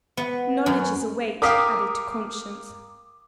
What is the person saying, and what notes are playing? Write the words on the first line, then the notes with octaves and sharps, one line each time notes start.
"Knowledge is a weight added to conscience."
B3
F#2
A#4 F5 G5 D6 D#6 B6